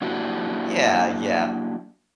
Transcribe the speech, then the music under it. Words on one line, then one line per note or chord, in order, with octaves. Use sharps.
yeah, yeah.
F#3 A#3 D4 E4 F#4 G4